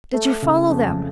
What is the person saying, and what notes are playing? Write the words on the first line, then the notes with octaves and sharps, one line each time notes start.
"Did you follow them?"
A3
C#3
F2